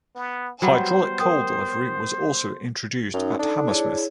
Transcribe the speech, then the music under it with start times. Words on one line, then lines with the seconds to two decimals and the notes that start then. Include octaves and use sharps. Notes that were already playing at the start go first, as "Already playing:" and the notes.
Hydraulic coal delivery was also introduced at Hammersmith.
0.15 B3
0.62 F#3 G3 B3 C5
1.20 A#4 G5 D#6
3.14 F#2 C#4 D#4
3.40 D4 D#4 A4
3.68 E4 G#4 C#5